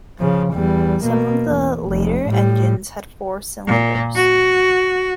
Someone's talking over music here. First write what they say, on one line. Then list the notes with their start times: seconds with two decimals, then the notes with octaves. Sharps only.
Some of the later engines had four cylinders.
0.19 C#3 F3
0.54 E2 G3
1.05 B2 A#3
1.46 E2
1.86 F1
2.27 A2 G3
3.67 A#2
4.15 F#4